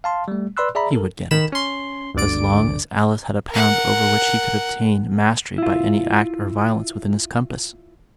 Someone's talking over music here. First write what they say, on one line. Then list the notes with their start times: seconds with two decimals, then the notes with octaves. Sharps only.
He would get it;--as long as Alice had a pound over which he could obtain mastery by any act or violence within his compass.
0.04 F5 A5 C6
0.28 G3 A3
0.57 B4 D5 B5 C6 E6 F#6
0.75 G#4 D5 E5 A#5 B5
0.91 A4 A#4
1.31 D#3 B5 E7
1.52 C#4 C6
2.14 G1 D2 D3 D5 D7
3.51 A#4 F#5
5.58 E4 F4